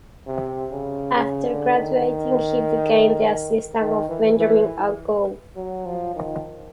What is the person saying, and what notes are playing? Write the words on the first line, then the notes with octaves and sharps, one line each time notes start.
After graduating, he became the assistant of Benjamin A. Gould.
C3
C#3
C#3
D3
D#3
D#3
E3
E3
F#3
F3
D#3